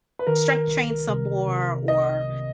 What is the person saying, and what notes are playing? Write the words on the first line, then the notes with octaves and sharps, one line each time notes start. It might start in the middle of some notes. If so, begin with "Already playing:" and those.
strength train some more," or,
B4
D#3 A#4
C2
C3
C3
C2 D#5
C3